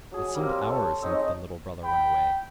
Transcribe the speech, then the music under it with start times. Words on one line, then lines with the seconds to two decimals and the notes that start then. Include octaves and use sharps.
It seemed hours since the little brother went away.
0.12 F#3 G#4
0.35 G3 A#3 C4
0.66 A4 C#5
1.02 C4 D#4 G#4 C#5
1.84 G5 B5